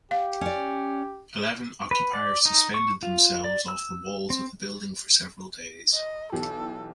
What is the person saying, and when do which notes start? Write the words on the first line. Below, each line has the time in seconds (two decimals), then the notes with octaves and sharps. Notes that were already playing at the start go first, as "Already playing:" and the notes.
Eleven occupiers suspended themselves off the walls of the building for several days.
0.11 G4 F5
0.41 C#4 D5
1.91 B4
2.13 D5
2.45 D#4
2.74 C#6
3.03 F4
3.44 D5
3.68 E6
4.30 C4
5.94 D#5
6.32 B1 E3 G4 A4